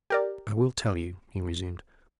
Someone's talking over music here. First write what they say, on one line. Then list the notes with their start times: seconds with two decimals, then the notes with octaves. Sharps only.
"I will tell you," he resumed.
0.10 G4 A#4 D5